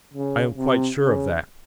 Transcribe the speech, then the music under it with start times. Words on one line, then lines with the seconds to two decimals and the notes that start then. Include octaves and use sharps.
I am quite sure of that.
0.13 C#3
0.57 C3
1.00 C#3